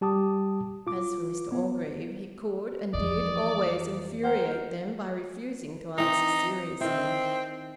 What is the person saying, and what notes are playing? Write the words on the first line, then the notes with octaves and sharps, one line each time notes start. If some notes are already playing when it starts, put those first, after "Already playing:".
As for Mr Orgreave, he could and did always infuriate them by refusing to answer seriously.
G3 G4 A5 D6 D#6
F4 D6
B3
F2 E3 D5 D#5
A#4 C5 F#5 G5
E3 C4 D#4
D#3 C4 E4